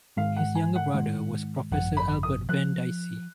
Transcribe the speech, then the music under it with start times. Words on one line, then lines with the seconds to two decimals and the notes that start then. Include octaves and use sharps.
His younger brother was Professor Albert Venn Dicey.
0.17 G#2 D#3 G#3 F5
0.37 F#5
0.55 G#5
0.76 F#5
0.94 G#2 D#3 G#3
1.72 G#1 F#2 F3 F#5
1.97 B5
2.23 D#6
2.49 F3 F#6